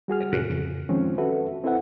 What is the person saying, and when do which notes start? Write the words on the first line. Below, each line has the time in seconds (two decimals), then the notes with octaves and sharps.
I think,
0.08 G3 F#4 G#4 F6
0.33 F2 A2 C3 F#6
0.49 F2 C#3
0.89 D#3 F3 G#3 C4 C#4
1.18 F#4 A4 B4 E5
1.64 C4 E4 A4 B4 E5 F#5